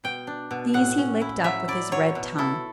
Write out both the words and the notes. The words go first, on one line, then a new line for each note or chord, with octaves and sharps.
These he licked up with his red tongue.
B2 G5
D4
B2
A2 F#5
C#4
E4
F#3 E5
E4 D5
F#3 C#5
B2
E4 A4